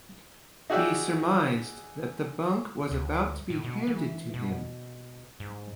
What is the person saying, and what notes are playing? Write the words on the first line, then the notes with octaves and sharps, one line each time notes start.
He surmised that the bunk was about to be handed to him.
D#4 F#4 G#4 D5 E5 G5
D2
A2
B2
E3
B2
G#2